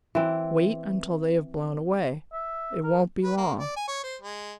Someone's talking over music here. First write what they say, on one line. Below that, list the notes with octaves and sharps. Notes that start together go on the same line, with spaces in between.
Wait, until they have blown away. It won't be long.
E3 C4
E5
A#4
B4
A#3
D5
G#5
C#5
C5
G#3